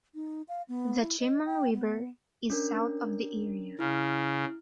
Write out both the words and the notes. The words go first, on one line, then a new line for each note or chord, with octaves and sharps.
The Chemung River is south of the area.
D#4
F5
B3
E4
D#5
G5
B3
C#4 D4 A#4
C#3 E4 F6